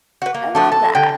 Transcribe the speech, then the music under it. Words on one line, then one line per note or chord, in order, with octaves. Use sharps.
I love that.
F#4 B4
A#3
F3 A3 D4 A4
A4 A5
D3 G5